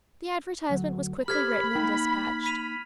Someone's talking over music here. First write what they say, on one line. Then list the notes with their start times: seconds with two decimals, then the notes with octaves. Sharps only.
The advertisement was quickly written and despatched.
0.70 D2 F#3
1.28 G4 A4 C5 B5 F6 G#6 B6
1.75 A#3 D#4 G5
2.46 B6 D#7 F7